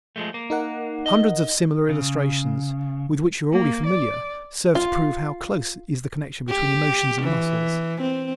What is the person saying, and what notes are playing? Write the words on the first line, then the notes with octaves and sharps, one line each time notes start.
Hundreds of similar illustrations with which you are already familiar serve to prove how close is the connection between emotions and muscles.
F3 G#3 A3
A#3
D#4 A#4 F#5
D#5
C#3
A#3
D5
F4
G4
E3
C4